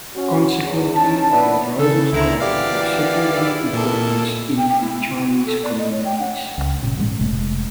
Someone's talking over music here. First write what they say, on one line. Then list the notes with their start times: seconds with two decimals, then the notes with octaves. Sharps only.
Consequently, their roles are of secondary importance in the Chinese communities.
0.15 C#4 F#4
0.63 E2
0.94 C#4 D#4 A5
1.30 B3 D4 E4 B4
1.79 C#3 A4
2.12 C#2 D3 E4 A#5
2.40 F#2 D3 E3 G4 D5 F5
3.36 E2 D#4 E4
3.73 A#2 A#3 A4
4.57 G5
4.69 G5
4.81 E4
4.94 E4
5.15 E4
5.29 F#4
5.46 A4
5.63 D5
5.78 D#5
5.91 C#5
6.04 G5
6.20 F#5
6.58 C#2
6.83 G1 A#2 C#3
6.97 A1 G#2 E3 G#3
7.19 F1 C3 G#3 A3